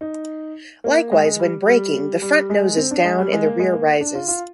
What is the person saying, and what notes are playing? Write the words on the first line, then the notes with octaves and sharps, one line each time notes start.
Likewise, when braking the front noses down and the rear rises.
D#4
A#3
G#3
G#3
G3
G3
G3
G#3
C4
D4
G#3
G3
G#3
A#3
G#3
A#3
D4
F4
F4